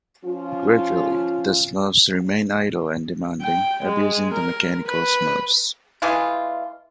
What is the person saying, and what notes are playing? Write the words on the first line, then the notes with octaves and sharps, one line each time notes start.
Gradually, the Smurfs remain idle and demanding, abusing the mechanical Smurfs.
F3 C#4 F4
G5
G#3
A#4
B4
E3 G#3 A3 F4